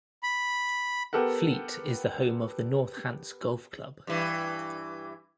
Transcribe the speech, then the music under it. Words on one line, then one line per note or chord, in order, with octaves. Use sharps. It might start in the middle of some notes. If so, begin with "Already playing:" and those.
Fleet is the home of the North Hants Golf Club.
B5
B3 G4 A4 A#4 F#5
G2 E3